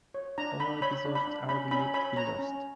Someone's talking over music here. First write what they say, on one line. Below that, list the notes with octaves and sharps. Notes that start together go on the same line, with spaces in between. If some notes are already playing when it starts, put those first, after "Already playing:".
All episodes are believed to be lost.
C#5
D4 A#5
D4 B5
C#5 B5
D4
B5
D4
C#4 B5
C#4 B5
C#5 B5
C#5 A#5
C#4